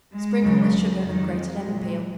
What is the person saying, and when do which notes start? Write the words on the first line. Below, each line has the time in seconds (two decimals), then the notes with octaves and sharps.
Sprinkle with sugar and grated lemon peel.
0.11 G#3
0.42 D#2 C#3 F#3
1.04 F2 D#3 F#3
1.35 G#3
1.66 A#2 F#3